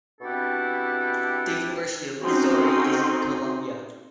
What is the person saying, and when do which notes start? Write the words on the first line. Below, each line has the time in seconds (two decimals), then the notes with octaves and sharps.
The University of Missouri is in Columbia.
0.21 B2 C4 D4 E4 G4 A4
2.20 D3 C4 C#4 D#4 F#4 C6